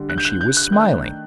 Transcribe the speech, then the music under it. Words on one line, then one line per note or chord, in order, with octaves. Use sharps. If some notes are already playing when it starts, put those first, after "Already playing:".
And she was smiling.
Already playing: D3 G3 D4
F#6
G6
F#6
G6
F#6
D#3 A3 D4 G6